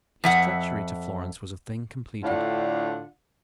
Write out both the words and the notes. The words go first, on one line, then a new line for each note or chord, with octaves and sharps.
His treachery to Florence was a thing completed.
F2 E5 F#5
A2 D3 D4 F4 F#5